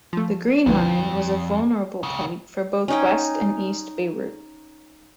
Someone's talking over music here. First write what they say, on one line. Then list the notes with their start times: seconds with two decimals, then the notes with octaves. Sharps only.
The Green Line was a vulnerable point for both West and East Beirut.
0.13 F3 A3
0.66 B1 F2 D3 F3 E4 B4
2.03 C2 C#3
2.88 C#4 D#4 G5